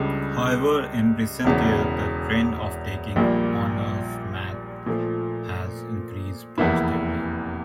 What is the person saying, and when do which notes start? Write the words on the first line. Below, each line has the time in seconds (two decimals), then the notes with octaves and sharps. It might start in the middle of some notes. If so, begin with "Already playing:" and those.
However, in recent years the trend of taking honours Maths has increased positively.
Already playing: C#2 C#3 G3 D4 A4
1.44 E1 E2 C#3
3.16 A#1 A#2 G3 A#3
4.86 A#2 F3 A3
6.58 F1 E2 E3 A#3 E4